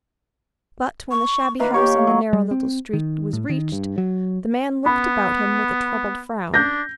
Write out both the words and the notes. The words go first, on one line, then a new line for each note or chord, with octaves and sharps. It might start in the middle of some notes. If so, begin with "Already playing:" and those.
But when the shabby house on the narrow little street was reached, the man looked about him with a troubled frown.
C#6
D#3 A#3 B4 F5
G4 C#5
F#3
G3
C4
D#3
A2
D#3
G2
F#3
B3 B5
D4 G6 A#6